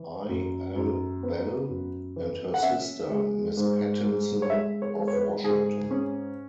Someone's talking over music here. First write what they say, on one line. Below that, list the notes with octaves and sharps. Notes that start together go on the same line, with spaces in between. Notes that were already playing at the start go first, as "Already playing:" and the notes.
I. L. Bell, and her sister, Miss Pattinson of Washington.
Already playing: E3
F#2
F#2
B3
F#2
E3
F#5
C#4 E5
G#3
G#2
G#3
C#5
G#3 E5
C#5
G#3
C#5
B4
G#2 G#4
C#4